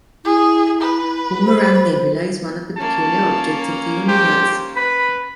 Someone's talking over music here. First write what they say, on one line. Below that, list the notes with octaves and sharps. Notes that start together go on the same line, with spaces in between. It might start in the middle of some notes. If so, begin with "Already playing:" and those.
Boomerang nebula is one of the peculiar objects of the universe.
E4 G#4
B4
C5
A#3 C#4 A5
G4 C5
B4 B5